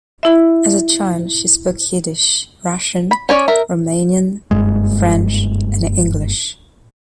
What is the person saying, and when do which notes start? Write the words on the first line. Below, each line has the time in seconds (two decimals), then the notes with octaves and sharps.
As a child, she spoke Yiddish, Russian, Romanian, French and English.
0.23 E4 E5
3.11 B5
3.29 C#4 C#5 D5
3.48 A#4 E5
4.51 F#1 E2 G2 G#3